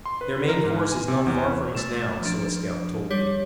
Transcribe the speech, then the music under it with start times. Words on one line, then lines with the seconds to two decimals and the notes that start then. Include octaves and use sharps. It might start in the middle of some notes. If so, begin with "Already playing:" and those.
But their main force is not far from us now, so a scout told me.
0.06 C6
0.21 B4
0.49 A#4
0.64 G#2
0.92 G#5
1.08 C3
1.27 E2
1.75 A3 E7
2.22 F3 D4
3.11 G3 G4 C#5 B6